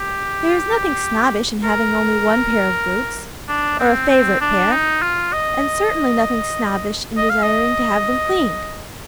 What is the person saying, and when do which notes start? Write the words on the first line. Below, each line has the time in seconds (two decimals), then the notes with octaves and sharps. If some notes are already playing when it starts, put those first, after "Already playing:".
There is nothing snobbish in having only one pair of boots, or a favourite pair; and certainly nothing snobbish in desiring to have them cleaned.
Already playing: G4
1.64 A#4
3.48 D4
3.80 C4
4.09 C4
4.41 D4
4.71 D#4
5.02 F4
5.33 D#5
7.17 D#5
7.30 F5
7.42 D#5